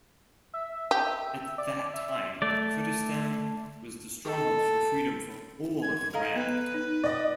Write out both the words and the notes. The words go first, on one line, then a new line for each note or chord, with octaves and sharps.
At that time, Kurdistan was the stronghold for freedom for all of Iran.
E5
G4
D5
E5
A3 D5
A4
G#6
A4 D#5 F5 A#5
B3 B4
D#4
D5 D#5